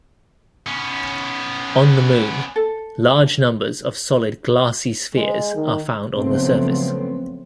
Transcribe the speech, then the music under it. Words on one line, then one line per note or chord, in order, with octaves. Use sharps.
On the Moon, large numbers of solid glassy spheres are found on the surface.
B3 C#4
A4
G#3
D#3
C#3 F3 F#3 A3 B3 C4